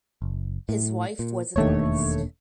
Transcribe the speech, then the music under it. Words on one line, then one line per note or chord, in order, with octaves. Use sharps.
His wife was an artist.
F#1
A2
A#2
E1 D#2 A3 A#3 D4 C#5